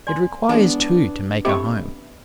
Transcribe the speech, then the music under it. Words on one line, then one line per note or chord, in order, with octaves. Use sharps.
It requires two to make a home.
D5 G#5 C6
E3 G#3 B3 D4 E4 A5 A#5
A3 C4 E4 G4 D#5 B5 C#6